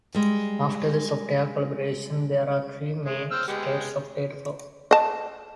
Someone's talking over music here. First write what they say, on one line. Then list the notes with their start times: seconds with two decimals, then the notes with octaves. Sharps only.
After the software collaboration, there are three main states of data flow.
0.14 G3 G#3
3.05 G#3
3.31 C5 E6 F6
3.48 G#3 B3 G4
4.91 D#5 A5